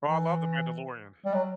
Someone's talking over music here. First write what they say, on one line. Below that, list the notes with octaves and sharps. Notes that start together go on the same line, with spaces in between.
Bro, I love The Mandalorian.
E3
G3
F#3